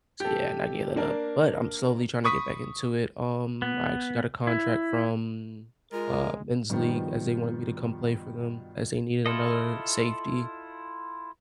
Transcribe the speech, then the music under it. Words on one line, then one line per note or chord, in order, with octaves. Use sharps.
so yeah, and I gave that up, but I'm slowly trying to get back into it. Um, I actually got a contract from, uh, men's league as they wanted me to come play for them as they needed another safety.
G4 A4
A#3 D4 A#4
B5 C#6 D#6 B6
B3
E4
G#3 F4 A#4
G2 B2 D#3 F3
E4 F4 A4 D#5